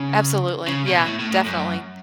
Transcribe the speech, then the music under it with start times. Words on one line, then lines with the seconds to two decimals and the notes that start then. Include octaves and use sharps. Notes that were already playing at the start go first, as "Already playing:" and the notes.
Absolutely, yeah, definitely.
Already playing: C#3
0.68 C#3
0.87 B2
1.06 A2
1.20 A2
1.32 A2
1.46 F#2